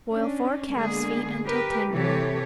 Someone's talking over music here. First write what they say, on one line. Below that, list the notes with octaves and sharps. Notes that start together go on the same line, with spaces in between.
Boil four calves' feet until tender.
C#4 D4
D3 G#3 A#3 B3 G#4
G4 A#4 B4
C3 E3 G4 A4 C#5